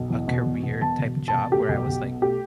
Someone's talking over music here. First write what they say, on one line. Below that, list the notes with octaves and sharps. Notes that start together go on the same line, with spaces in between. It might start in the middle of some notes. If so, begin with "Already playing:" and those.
a career-type job where I was like,
Already playing: B1
E2
B2
E1
B2
E1 A5
E1
E1
A5
B2
A3 G4
B1
B1
B2
A3 G4